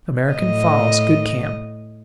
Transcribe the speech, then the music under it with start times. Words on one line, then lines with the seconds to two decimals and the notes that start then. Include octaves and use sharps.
American Falls.--Good camp.
0.33 A2 D#5